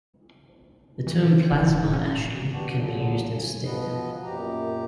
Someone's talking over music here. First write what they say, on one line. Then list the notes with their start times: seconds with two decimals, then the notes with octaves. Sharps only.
The term plasma ashing can be used instead.
1.07 E3
1.51 D#1
1.93 C#4
2.51 D#2 B3 D4 F#4 G4
2.72 E2 A#2 D3 F3 F#3
3.36 G#5
3.64 B2 F3 B3 B4 D#5
4.23 F#2 A#2 G4 A#5